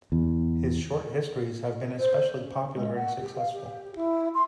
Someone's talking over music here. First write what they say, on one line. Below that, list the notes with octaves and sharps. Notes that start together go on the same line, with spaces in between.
His short histories have been especially popular and successful.
E2
C5
C#4
G#3
F#5
G4
F5
G4
E4
C6